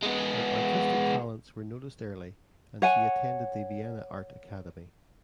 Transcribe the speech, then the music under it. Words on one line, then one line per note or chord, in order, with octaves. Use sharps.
Her artistic talents were noticed early and she attended the Vienna Art Academy.
G#3 B3
C#5 F#5 G#5